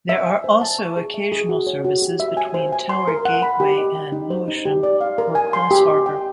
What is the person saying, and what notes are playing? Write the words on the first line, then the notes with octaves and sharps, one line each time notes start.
There are also occasional services between Tower Gateway and Lewisham or Crossharbour.
E5
G#5
C5
A5
C#6
G#4
E5
G#4
F#4
C#5
F#4
G4
E5
G#5
C5
G#5
C6
A#4
F#5
B5
G4
D#5
G5
D#4
C5
D#4
G4
D5
F5
A#4
G#5
C6
G4
D#5
G5